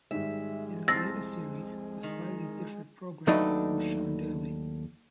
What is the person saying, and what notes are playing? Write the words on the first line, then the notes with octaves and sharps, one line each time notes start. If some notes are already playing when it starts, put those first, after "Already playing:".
In the later series, a slightly different programme was shown daily.
G#2 D#3 G3 G#3 E5
C2 F2 E6 A6 A#6 C7
D#3
D#2 F#3 A3 D4 D#4 B4